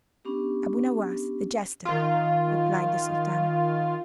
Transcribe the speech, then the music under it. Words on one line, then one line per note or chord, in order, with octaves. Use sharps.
'Abu Nowas, the jester,' replied the Sultana.
B3 C#4 D4 G4
D#3 F4